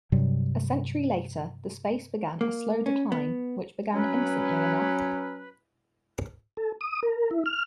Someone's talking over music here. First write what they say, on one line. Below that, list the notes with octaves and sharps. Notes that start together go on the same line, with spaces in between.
A century later, the space began a slow decline, which began innocently enough.
G2 C3 F#3 G3
A#3
C#4
B3
F#3 C#4 B4
A4
D#6
A#4
E4
F6